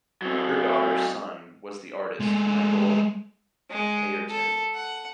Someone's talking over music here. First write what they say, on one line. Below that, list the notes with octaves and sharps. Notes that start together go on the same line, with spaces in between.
Her daughter's son was the artist, Michael Ayrton.
F#3 C4
G#3 A3
G#3
A4
F#5